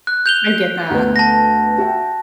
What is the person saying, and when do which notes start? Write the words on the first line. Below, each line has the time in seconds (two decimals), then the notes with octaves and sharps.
I get that.
0.07 F#6
0.26 G6 F7 G7
0.90 D2 A3 B3
1.16 A5 A#6
1.78 F#4 E5 G5